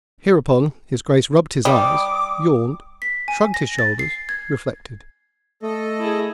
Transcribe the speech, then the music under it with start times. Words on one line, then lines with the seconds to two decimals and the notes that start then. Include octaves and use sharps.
Hereupon his Grace rubbed his eyes, yawned, shrugged his shoulders, reflected.
1.65 G3 D6 D#6
3.02 B6
3.28 G#5
3.54 A#6
3.79 A6
3.99 C7
4.29 G#6
5.63 A3 A4 D#5
6.00 E4 G#4